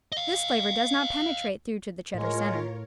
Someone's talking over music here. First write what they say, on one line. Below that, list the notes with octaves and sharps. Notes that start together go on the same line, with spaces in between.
This flavor does not penetrate through to the Cheddar center.
D#5 F5
A2 G#3 F4 A#4 C#5